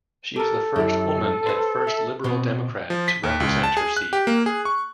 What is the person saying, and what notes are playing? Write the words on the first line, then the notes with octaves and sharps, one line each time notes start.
She is the first woman and first Liberal Democrat to represent her seat.
G4 A4 A#4
F#2 E4 G4
B4 C5
E5
B2 B3 C4
F3
B6
D#2
C#2
A5
G#4
F#6
G4
A#3
G#4
C#6